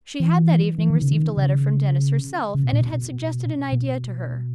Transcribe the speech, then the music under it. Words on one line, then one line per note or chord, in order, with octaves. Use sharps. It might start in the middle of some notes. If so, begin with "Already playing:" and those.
She had that evening received a letter from Denis herself, and it had suggested an idea to her.
E3
E3
D#3
C#3
D#3
C#3
C#3
B2
A#2
B2
B2